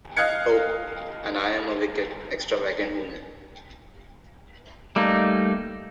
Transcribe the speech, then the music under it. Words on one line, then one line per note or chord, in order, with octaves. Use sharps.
Oh, and I’m a wicked, extravagant woman.
D#5 F5 F#6 G#6 C#7
G3 A3 A#3 D#4